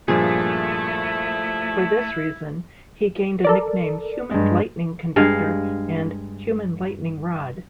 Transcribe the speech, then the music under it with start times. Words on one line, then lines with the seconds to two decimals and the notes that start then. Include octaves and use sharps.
For this reason, he gained a nickname "Human Lightning Conductor" and "Human Lightning Rod".
0.08 G2 A#2 F3 A3 E4 G#4
3.44 A4 A#4 D5
4.31 G2 G#3
5.16 G2 G#3 F5